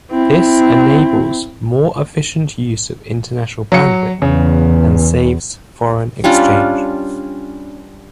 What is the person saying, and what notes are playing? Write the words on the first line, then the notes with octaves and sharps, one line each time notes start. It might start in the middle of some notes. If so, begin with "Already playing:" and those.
This enables more efficient use of international bandwidth and saves foreign exchange.
C4 E4
F#3 C#7
E2 C#3
G3 C#4 D4 F4